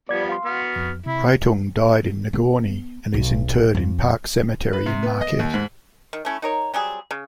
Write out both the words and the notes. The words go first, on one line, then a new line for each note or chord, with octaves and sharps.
Breitung died in Negaunee and is interred in Park Cemetery in Marquette.
F3 G3 B3 D5 G#6
F5 C6
B3 F#4 F6
F2
C3 E4
B3
B1
F2
B4
C3
B3
D#5
D#2
G#2
D#3
A3 C#4 E4
D#4 A#4 C#5
F#3 G3 C4 G#4
C#3